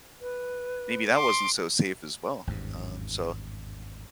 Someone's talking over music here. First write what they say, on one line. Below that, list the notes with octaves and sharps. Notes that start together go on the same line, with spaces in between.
maybe that wasn't so safe as well, um, so
B4
C6 D6
G#1 E2 G2